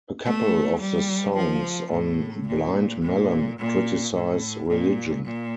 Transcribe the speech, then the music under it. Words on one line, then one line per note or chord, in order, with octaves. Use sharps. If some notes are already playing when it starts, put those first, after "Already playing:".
A couple of the songs on "Blind Melon" criticize religion.
A3
G3
F3
A2
A#2
A#2
A#2
A2
A#2
A#2